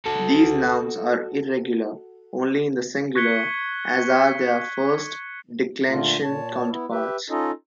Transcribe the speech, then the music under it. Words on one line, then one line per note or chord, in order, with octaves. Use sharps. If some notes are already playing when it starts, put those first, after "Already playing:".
These nouns are irregular only in the singular, as are their first-declension counterparts.
F#4 A4
C#6 F#6 G#6 B6 C#7 G7
A#2 D3 A3 A#3 F4
A#2 C#5 A5
B3 E4
G4 B4 E5
C#4 D#4 F4 A4 D#5